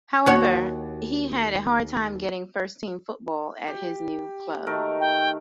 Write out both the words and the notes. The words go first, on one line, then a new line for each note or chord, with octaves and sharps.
However, he had a hard time getting first-team football at his new club.
D#2 F#4 C#5
G4
D#3 A3 A#4
G5